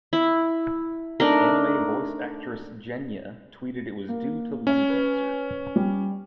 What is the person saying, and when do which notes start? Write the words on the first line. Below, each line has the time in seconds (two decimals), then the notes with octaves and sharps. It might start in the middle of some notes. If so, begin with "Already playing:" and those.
Anime voice actress Jenya tweeted it was due to lung cancer.
0.13 E4
1.20 A3 D4 D#4 A#4
4.08 A#3
4.67 C#4
4.90 B4
5.76 G3